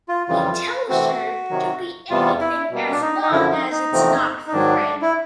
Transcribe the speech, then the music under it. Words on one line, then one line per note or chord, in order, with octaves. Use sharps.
He tells her to be anything as long as it's not Fred.
F4
F2 C#3 E3 G3 F4
C3 E3 A3 C4 F#4
C3 D#3 F#3
E2 C3 E3 G3 B3 F4
E4
B2 G3 A#3
D4
D#4
D#4
F#2 D3 F3 E4
D#4
D#4
E2 C3 F3 A3 C4
D#4
G#2 D#3 F#3 D4
E4